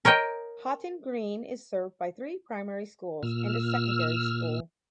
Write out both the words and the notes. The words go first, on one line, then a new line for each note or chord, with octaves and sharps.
Haughton Green is served by three primary schools and a secondary school.
A#4 C#5 D#5 G5
A#2 E6 F6